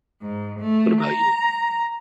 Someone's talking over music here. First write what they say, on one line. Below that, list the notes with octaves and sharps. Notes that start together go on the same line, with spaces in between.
What about you?
G#2
A3
A#5